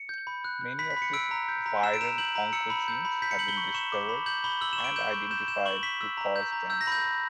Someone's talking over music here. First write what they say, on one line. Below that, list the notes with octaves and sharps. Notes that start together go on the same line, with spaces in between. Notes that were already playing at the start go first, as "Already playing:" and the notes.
Many of these viral oncogenes have been discovered and identified to cause cancer.
Already playing: C#7
G6
B5
F#6
F#6
B5 B6
B6
B5
C#7
E6 D7
A#5
G6
A#5
E6 E7
D7
A#5 E7
G6 F#7
A#5
E6 C#7
B5
G6
B5
G6 B6
C#7
G6 F#7
G7
C#6
C#6 E7
D6
B5
G6 F#7
B5 G7
E6 F#7
E7
C#6
D7
G6 E7
C#6
G6 E7
G6 E7
C#6 F#7
C#6 B6
E6
A#5
G6
A#5
E6 G6
A#6
B5 G6
G6